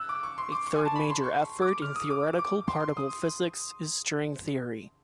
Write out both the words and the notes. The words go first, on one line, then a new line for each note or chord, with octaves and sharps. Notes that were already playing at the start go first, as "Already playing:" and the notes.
A third major effort in theoretical particle physics is string theory.
Already playing: E6 F#6
D6
C#6
C6
D6
C#6
G#5
A5
B5
C6
C#6
D6
F6
D#6
D6
D6
C6
D#6